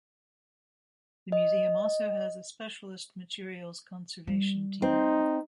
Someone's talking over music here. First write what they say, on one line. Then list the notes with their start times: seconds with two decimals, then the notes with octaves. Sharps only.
The museum also has a specialist materials conservation team.
1.32 D#5
4.27 G3
4.82 C4 D#4